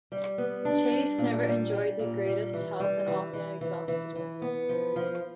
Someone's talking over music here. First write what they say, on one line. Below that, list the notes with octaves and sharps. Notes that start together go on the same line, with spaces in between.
Chase never enjoyed the greatest health and often exhausted himself.
G3
B3
D4
G3
A#2
G3
G3
A#2
G3
E3
G3
E3
E3
E3
E3
E3
B3
F3
F3